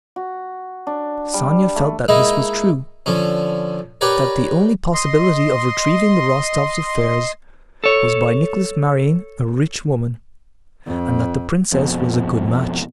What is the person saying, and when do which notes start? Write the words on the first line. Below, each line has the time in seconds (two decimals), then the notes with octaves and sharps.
Sonya felt that this was true: that the only possibility of retrieving the Rostovs' affairs was by Nicholas marrying a rich woman, and that the princess was a good match.
0.16 F#4
0.87 D4
1.34 G3
1.76 A3
2.08 G#3 A#3 D#4 E4
3.06 D3 F3 C#4
4.01 G4 A#4 B4 C#5 D5
4.94 D#5 C6
7.84 A4 C#5
10.86 F2
11.72 F2 B2